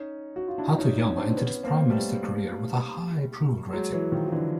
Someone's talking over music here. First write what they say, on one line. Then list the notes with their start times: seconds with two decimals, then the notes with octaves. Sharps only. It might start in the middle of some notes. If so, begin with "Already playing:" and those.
Hatoyama entered his prime minister career with a high approval rating.
Already playing: C#4 D#4
0.36 F#4
0.48 F4
0.58 D4 E4
0.78 C#4 D#4
0.98 C#4 D#4
1.18 C4 D4
1.37 B3 C#4
1.63 A#3 C4
1.90 G3 A3
3.73 F#3 G#3
3.92 E3 F#3
4.12 D#3 F3
4.27 F3
4.32 D3 E3